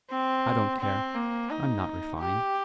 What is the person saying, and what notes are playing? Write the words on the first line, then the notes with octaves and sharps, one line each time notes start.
I don't care; I'm not refined.
C4
C4
A#3
D#4
G4